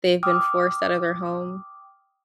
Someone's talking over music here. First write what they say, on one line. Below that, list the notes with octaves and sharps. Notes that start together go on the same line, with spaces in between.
they've been forced out of their home.
G5 D6 D#6 F6